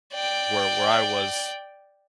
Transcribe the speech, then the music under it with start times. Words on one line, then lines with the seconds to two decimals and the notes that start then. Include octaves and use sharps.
where where I was,
0.14 D5 G5